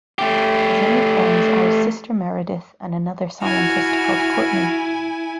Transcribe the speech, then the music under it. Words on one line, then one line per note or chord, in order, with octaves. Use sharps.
His only friends are his sister Meridith and another scientist called Courtney.
A3 G4
E4 F#4 G#5 F6